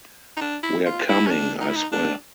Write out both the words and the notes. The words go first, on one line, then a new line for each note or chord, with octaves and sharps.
We're coming, I swear.
D#4
D4
E4
F4
E4
C#4
D4
D#4
E4
D#4
D4